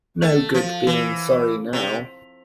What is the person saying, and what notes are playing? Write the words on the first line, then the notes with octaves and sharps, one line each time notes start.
No good being sorry now.
A3
F3
E3
C3